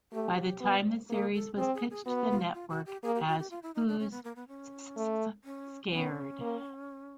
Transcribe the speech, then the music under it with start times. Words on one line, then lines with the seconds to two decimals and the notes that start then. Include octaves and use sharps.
By the time the series was pitched to the network as Who's S-S-Scared?
0.12 A3 G4
0.60 B3
1.09 A#3 G#4
1.34 A4
1.57 C4 G#4
1.74 G#4
1.90 G#4
2.06 B3 F#4
2.30 F4
2.54 F4
2.70 F#4
2.86 G4
3.03 A#3 G#4
3.15 G4
3.27 F#4
3.39 G4
3.51 F4
3.63 E4
3.75 D#4
3.88 D4
3.99 C#4
4.11 B3
4.24 A#3
4.36 B3
4.48 C#4
4.96 A3
5.44 C#4
5.93 B3 C#4
6.40 A#3